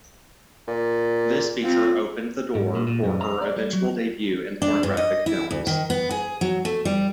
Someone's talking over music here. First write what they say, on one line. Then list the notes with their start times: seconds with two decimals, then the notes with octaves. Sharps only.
This feature opened the door for her eventual debut in pornographic films.
0.68 A#2
1.64 C4 F4
2.55 G#2
2.75 A#2
2.87 A#2
3.04 F#2
3.21 A#5
3.42 D5
3.56 G3
3.73 F#3
4.62 D4
4.83 G2
4.97 D#5
5.26 E4
5.51 D2
5.67 D#3
5.90 B3
6.11 G#4
6.41 F#3
6.65 A3
6.85 G3